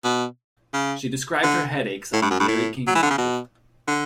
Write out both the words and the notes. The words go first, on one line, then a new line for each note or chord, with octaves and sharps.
She described her headaches on "Larry King Live".
B2
C#3
D3
A2
G2
F#2
G2
A2
F#3
E3
D3
C#3
B2
D3